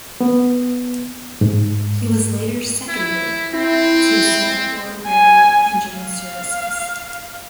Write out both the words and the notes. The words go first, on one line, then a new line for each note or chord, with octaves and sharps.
He was later seconded to Singapore Aero Engine Services.
B3
G#2
E4
C4 E4
G#5
F5